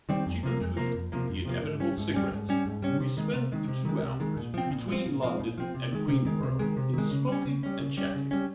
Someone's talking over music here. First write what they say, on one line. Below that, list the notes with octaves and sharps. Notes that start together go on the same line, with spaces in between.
She produced the inevitable cigarettes, and we spent the two hours between London and Queenborough in smoking and chatting.
D#3 G3 C4
F2
C3 F3 A#3
F2
C3 F3 A#3
F2
C3 F3 A#3
F2
C3 F3 A#3
G#2
G3 C#4
G#2
G3 C#4
G#2
G3 C#4
G#2
G3 C#4
C3
D#3 G#3
C3
D#3 G#3
C3
D#3 G#3
C3
D#3 G#3
A#2
F3 C4
A#2
F3 C4
A#2
F3 C4
A#2
F3 C4
C3
D#3 G#3
C3
D#3 G#3
C3
D#3 G#3
C3
D#3 G#3
C#3
G3 C#4
C#3
G3 C#4
C#3
G3 C#4
C#3
G3 C#4